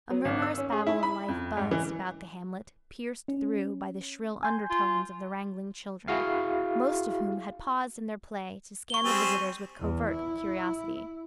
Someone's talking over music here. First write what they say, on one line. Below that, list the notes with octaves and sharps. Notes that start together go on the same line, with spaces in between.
A murmurous babble of life buzzed about the hamlet, pierced through by the shrill undertones of the wrangling children, most of whom had paused in their play to scan the visitors with covert curiosity.
F#3
G#1
E6
C#4
G#4
E4
B5
F2
G#2
E3
C#4
G#5 C6 G6
F4
E4 F#4 G#4 F5
C#6 G7
G3 C4 G#4
E2
E4